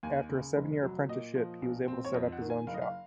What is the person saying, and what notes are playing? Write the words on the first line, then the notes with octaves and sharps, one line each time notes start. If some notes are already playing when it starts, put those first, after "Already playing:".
After a seven-year apprenticeship, he was able to set up his own shop.
D#2 G#5
C#3
F1
F#3
A#2 D#5
F3
A#1
C4
C#5
F2 D#5
F#5
D#3
G#5
F#1 F5
D#5
F5